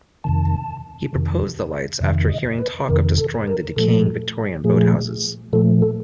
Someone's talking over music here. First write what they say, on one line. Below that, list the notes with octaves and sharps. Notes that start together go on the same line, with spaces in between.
He proposed the lights after hearing talk of destroying the decaying Victorian boathouses.
F2 C3 D#3 A5
F2 C3 D#3
F2 C3 D#3 E5
D#5
B4
F2 C3 D#3 A#4
A4
A#4
A#2 F3 A3 A4
A#2 F3 A3 G#4
A#2 F3 A3 A4
A4